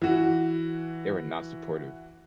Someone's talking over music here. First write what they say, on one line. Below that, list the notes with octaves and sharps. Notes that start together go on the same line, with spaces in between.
they were not supportive.
E3 F#4